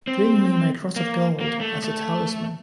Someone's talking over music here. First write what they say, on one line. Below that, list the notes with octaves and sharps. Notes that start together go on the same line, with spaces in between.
Bring me my cross of gold as a talisman.
C4
A#3
A#3
A3
A3